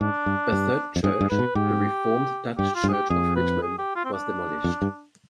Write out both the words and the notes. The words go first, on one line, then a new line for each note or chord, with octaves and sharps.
A third church, the Reformed Dutch Church of Richmond, was demolished.
G#2 D4
G2
G2
F2
G2 G#4
G2
G#2 B4
B2
G#2 G4
G2 G4
F4
G2
G#4
G4
F2 G#4
B4
G#4
G4
F4
C4
D4
F2
G2